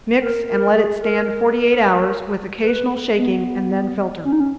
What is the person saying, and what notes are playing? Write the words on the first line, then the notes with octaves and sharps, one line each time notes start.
Mix and let it stand forty-eight hours, with occasional shaking, and then filter.
A#4
A#4
G#4
A#4
B4
B3
C#4
D#4
C#4